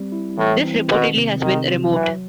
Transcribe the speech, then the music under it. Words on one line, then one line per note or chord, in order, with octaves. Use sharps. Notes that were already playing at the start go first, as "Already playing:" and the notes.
This reportedly has been removed.
Already playing: G3 C4
E4
A2 E3
C4
B2 D#3
C3
C3 D#3
F#3
E3 F#3